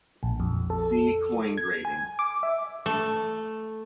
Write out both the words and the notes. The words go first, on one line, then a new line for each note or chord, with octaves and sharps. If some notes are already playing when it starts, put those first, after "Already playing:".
See coin grading.
A#1
F2
A4
G#6
G#5
D6
E5
A3